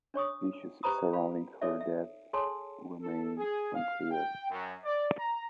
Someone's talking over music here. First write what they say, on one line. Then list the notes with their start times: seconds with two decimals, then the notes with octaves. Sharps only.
Issues surrounding her death remain unclear.
0.14 D4 C#5 C#6 D#6
0.83 G4 B4 C5 A#5 B5 D#6
1.13 F5 B5
1.61 D#4 A4 C#5 D5 E5
1.80 E5
2.33 G#4 A4 C#5 G#5 A5 C6
3.01 A4
3.37 G#4
3.75 F5
4.11 G5
4.50 F#2
4.84 D5
5.18 A#5